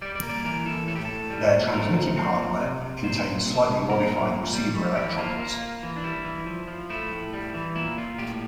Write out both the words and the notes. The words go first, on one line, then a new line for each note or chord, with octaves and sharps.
Their transmitting hardware contains slightly modified receiver electronics.
G3 D5
D5
A#3
D5
E3 A#4
E3 A4
A2 A4
G4
A2 A4
G3
A#2
A3 A#4
A#2
C4
A#2
C3
C3
A#2 C5
A#2
C3
C3
A#2 A#4
A#2
A#2
G3
G3
E3 G4
A#3 F4
A#3
A#3
E3
D4
G3 E4
E3
F3
F3
A3 E4
A2
G3
E3
A#2 E4
A#2 F4
A2 G4